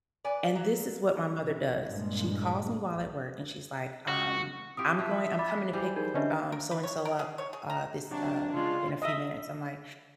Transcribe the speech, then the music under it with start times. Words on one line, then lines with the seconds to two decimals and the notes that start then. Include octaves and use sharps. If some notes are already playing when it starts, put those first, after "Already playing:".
And this is what my mother does, she calls me while at work, she's like, um, "I'm going I'm coming to pick, um, so-and-so up, uh, this, uh, in a few minutes." I'm like,
0.24 B4 D5 G#5
0.55 F#3
1.37 C3
1.86 G2 A#2 G#3
4.08 F#4
4.77 C4 E4 F4 G4 D#6 D7
4.99 F3 E5
5.39 B5 D6 A6
5.73 E3 G3 C5
5.96 D#4 G#4 A#4 C5
6.14 D3 C#4 D4 B4 D#5 E5
6.52 A#4
6.71 B4
6.83 C#5
7.05 A#4
7.19 G#4
7.38 C#5
7.53 G#4
7.70 A#5
8.11 C3 F#3 D4
8.54 C#3 G#3 F4
9.02 D#5 E5